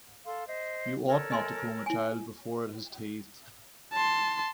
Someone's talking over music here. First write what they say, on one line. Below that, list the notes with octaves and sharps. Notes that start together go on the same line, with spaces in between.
You ought not to comb a child before it has teethed.
A4 F5 C6
C5 D#5
A4 A#4 C#5
D#5 G#5 C6
E4 G#5
A5 C6